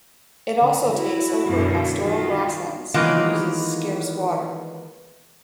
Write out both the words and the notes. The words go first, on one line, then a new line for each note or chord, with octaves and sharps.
It also takes over pastoral grasslands and uses scarce water.
D3
E4 F#4
F#2 B2 D3
D#3 F4 F#4
D#3 E3 G#3 A#3 B3 F4